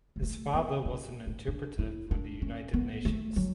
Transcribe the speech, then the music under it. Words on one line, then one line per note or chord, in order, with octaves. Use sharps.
His father was an interpreter for the United Nations.
G#3
A3
B3
C#4
D4
D4
E4
D4
C#4
B3
A3
F#3